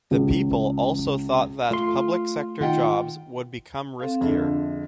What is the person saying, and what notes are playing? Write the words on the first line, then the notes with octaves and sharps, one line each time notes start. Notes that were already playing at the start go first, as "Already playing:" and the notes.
The people also thought that public sector jobs would become riskier.
C#2
A3 F4 C6
D#3 D#4 F4 F#5 G5
C4 A4 F5
F2 D3 G#4 E5